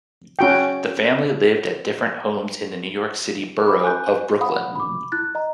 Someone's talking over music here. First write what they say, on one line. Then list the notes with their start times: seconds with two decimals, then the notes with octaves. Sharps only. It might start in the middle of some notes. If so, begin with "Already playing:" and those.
The family lived at different homes in the New York City borough of Brooklyn.
0.39 C#4 F#4 G5
3.66 B4 B5 D6
3.84 G#5 F#6 G6
4.40 F5 F#5 B5 D#6
4.76 B5 D6
5.12 E4 F#6 A6
5.35 D#5 A#5